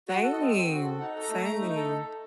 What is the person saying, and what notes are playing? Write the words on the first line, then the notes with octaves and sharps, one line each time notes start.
Same, same.
F#4 F#5
A4
D#5
C4
C4
F#4
A4
D#4 F#5
A4
A#5
A3
A3 A#5
D#4
A4